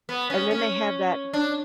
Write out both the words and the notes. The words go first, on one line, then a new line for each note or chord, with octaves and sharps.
and then they have that
B3
C#4
C#4
D4